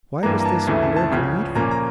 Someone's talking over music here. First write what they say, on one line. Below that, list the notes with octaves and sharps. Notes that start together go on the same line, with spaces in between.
Why was this miracle needful?
G2 E3 A#3 A#5
A#5
A5
D2 C#3 E3 A3 A#5
A5
A5
C#2 C#3 F3 C#4
A#2 F3 A#3 C#4 A#5
A#5